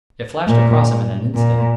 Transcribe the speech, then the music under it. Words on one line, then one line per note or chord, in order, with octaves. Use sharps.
It flashed across him in an instant.
A#2
A#2